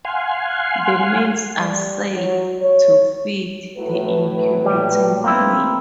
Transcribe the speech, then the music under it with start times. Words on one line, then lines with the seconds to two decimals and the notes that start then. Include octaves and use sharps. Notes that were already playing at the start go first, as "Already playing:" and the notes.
The males are said to feed the incubating female.
0.05 F5 F#5 G#5 C6
1.57 G3
2.14 F#3
2.61 C#5
3.77 A2 F#3 B4
4.65 A#2 G3
5.24 A#3 C4 E4